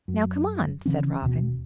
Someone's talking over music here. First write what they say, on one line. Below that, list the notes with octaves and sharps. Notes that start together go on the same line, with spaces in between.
"Now, come on," said Robin.
F#2
C#3 E3 C#4
D#2 B2